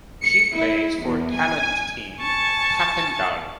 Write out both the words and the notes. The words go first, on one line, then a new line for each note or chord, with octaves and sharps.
She plays for Talent Team Papendal.
C#7
E4
E2
G#5
G#5 A5 C#6 A6